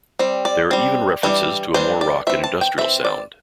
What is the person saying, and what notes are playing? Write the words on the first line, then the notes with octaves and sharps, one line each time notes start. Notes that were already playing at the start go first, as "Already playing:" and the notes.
There are even references to a more rock and industrial sound.
G3 C4
D5
G3 C4
E3 G3 D4
E3 G3 D4 C5
D5
E3 C4 E5
A5
G5
E3 C4 E5
D5